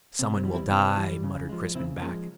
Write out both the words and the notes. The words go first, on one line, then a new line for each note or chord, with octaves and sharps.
"Someone will die," muttered Crispin back.
C3 C4
C4
E3 G3
C4 E4
C3 C4 E4
E3 G3
C#3
F3 G#3
C#3 C4 E4
F3 G#3 A#3 C#4